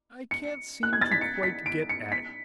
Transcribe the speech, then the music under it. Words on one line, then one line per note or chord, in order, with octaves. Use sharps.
I can't seem to quite get at it.
C#7
F#6
G#6
A6
B6
C#7
B6
D7
C#7
B6